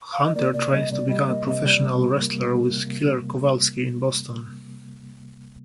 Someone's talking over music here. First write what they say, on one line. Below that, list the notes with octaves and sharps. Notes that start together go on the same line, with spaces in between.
Hunter trained to become a professional wrestler with Killer Kowalski in Boston.
F5
D#5
A#3 D5
C3 D5
G3 D#5
C3 D5
G3 D#5
A#3 D#5
C3 D#5
G3 D5
C3
G3
A#3
G3
A#3
C3
C3